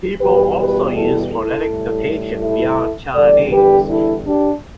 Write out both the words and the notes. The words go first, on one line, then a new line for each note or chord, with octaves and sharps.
People also use phonetic notation beyond Chinese.
E2 B2 G3 G4 B4
G4 B4
E4 A4
E4 A4
A2 G3
E4 A4
E2 D3 G3 A4 D5
G4 B4
E4 A4
D4 G4